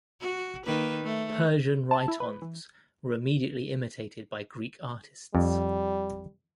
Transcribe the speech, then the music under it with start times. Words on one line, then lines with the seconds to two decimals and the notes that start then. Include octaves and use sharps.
Persian rhytons were immediately imitated by Greek artists.
0.20 F#4
0.65 D#3 A#3 B4
1.04 A3
1.91 A5
2.08 E4
2.20 B4
2.42 E3
5.35 F2 G3